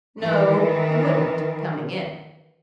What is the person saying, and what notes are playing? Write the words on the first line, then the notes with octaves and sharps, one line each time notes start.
"No, he wouldn't, coming in."
D#3 E3